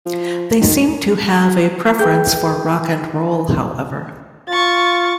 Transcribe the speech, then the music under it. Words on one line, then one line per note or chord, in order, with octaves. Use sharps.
They seem to have a preference for rock and roll, however.
F3
D#3
G#4 B4 G5 G6
F4 C#6 A6